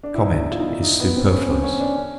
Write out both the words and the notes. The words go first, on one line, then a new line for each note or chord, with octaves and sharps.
Comment is superfluous.
D4
E4
D#4
E4
F4
D#4
E4
D#4
B3
C4
C#4
C4
C#4
D4
C#4